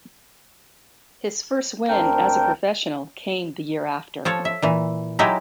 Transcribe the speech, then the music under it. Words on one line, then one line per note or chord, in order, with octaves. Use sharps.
His first win as a professional came the year after.
D2 C4 D4 A#4 G5 G6
F3 A4 C#5
E5
A#2 E3
F#3 G#3 D#4 E4 G4 E5